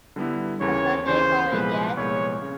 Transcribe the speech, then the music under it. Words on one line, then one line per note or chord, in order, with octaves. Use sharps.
There's no name for it yet.
D3 G3 B3 E4
D#2 C#3 E3 C#5
D#2 C#3 E3 C5
C2 A#2 F3 G#3 B3 B4
C2 A#2 F3 G#3 B3 C#5
C#3